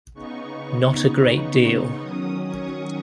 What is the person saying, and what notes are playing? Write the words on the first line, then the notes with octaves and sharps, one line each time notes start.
Not a great deal.
C#3 B3 D#4 C#6
C#6
C#6
D#3 F#3 C#4 D#6
C#6